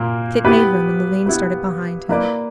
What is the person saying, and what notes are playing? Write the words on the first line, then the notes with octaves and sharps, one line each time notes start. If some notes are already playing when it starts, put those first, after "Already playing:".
Tit made room, and Levin started behind him.
Already playing: A#2 A#3
B3 E4 G4 B4
B3 E4 G4 B4
A#3 E4 B4 D5